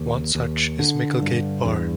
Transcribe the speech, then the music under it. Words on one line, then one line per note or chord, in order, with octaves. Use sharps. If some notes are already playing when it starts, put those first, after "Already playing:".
One such is Micklegate Bar.
Already playing: D#2
D#2
D3
G2
E2